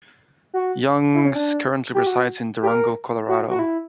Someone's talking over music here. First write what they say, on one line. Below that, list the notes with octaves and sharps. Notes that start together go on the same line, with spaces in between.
Youngs currently resides in Durango, Colorado.
F#4
E4
C#4
D4
G4
F#4
G4
A#4
F#4
F#4
E4